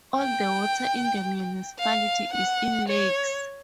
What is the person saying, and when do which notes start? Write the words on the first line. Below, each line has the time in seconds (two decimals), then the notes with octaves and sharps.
All the water in the municipality is in lakes.
0.17 G5
1.80 F5
2.34 F#5
2.89 C#5